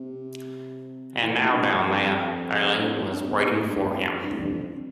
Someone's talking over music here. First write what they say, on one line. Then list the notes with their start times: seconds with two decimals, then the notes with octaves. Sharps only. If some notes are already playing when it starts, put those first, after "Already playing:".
And now, down there, Eileen was waiting for him.
Already playing: C3
1.22 E3
1.36 A2
1.50 G2
1.63 F2
2.78 G2
2.86 F2
3.00 F2
3.13 G2
3.27 B2
3.41 B2
3.54 A2
3.68 G2
3.82 E2
3.95 F2
4.23 G2
4.31 A2
4.38 G2
4.50 F2